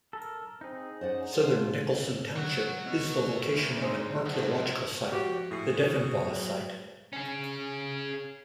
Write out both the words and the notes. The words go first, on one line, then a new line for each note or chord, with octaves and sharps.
Southern Nicholson Township is the location of an archaeological site, the Deffenbaugh Site.
A4 A#4
C4 D#4 G#4
C#4 C5 D5 F#5
F4 A4
C#5 F#5
B2
D2
G#3 C4 D#4
A2 F3 F#3
F3 F#4 G4 C6 C#7
A2 F#4 G#4 C7
F#3
C#4 G#4